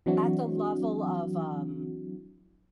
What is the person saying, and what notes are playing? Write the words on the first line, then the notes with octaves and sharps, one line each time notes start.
At the level of, um,
E3 F#3 C4 D4 E4 F#4